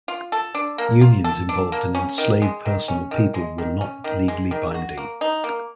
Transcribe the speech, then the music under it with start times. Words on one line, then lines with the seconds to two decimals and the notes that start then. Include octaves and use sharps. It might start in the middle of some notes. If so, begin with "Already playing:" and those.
Unions involving an enslaved person or people were not legally binding.
0.08 F4
0.32 A4
0.55 D4
0.78 A#3
1.01 F4
1.24 A4
1.49 D4
1.72 A#3
1.95 C#4
2.18 D#3
2.42 G#3
2.65 D#3
2.88 C#4
3.11 D#3
3.34 G#3
3.58 D#3
3.81 C#4
4.04 D#3
4.28 G#3
4.51 D#3
4.74 F#4
4.97 A#3
5.21 D#4
5.44 A#3